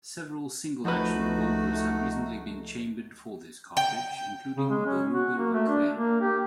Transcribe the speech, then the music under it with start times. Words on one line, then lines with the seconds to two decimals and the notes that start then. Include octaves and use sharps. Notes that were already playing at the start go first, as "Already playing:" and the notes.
Several single-action revolvers have recently been chambered for this cartridge, including the Ruger Vaquero.
0.85 C#2 F3 A3 D#4 F#4 B4
3.77 G5
4.56 C#3
4.70 G#3
4.86 C#4
5.13 F#4
5.38 A#3
5.53 A3
5.68 D4
5.95 A#3
6.21 G4